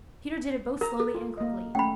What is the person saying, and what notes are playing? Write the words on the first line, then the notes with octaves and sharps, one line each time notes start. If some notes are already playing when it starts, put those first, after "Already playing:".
Peter did it both slowly and quickly.
A#4 A#5
A4
F4
A#3 D#5
A3 C#4 G5 B5